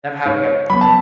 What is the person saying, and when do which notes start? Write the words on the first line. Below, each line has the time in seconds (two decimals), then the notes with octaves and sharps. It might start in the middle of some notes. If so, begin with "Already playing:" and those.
them having a
0.25 G#2 C#5
0.70 F#3 B3 B5
0.81 A5